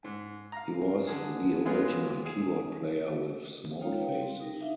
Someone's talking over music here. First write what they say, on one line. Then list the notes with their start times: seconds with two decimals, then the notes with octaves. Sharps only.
He was the original keyboard player with Small Faces.
0.04 G#2
0.52 F5 A#5
1.07 D3 G#4
1.66 F#3 G#3 B3 F4 G#4
2.25 G#4
3.80 G#3 D#4 F4 C#5 F5 G5
3.97 B4 C#5 F5 G5
4.18 G3 C4
4.40 D#4 A#4
4.60 D4 D#4 E5 F5